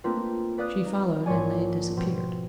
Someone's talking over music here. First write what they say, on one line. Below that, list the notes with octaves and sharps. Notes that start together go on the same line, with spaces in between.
She followed, and they disappeared.
A3 A#3 C4 D4 F4 B4
B4 D5 F5 D#6 F#6 A6
D#4
A#1 G#2 F3 C#5 D5 G#5
B2 F3 C4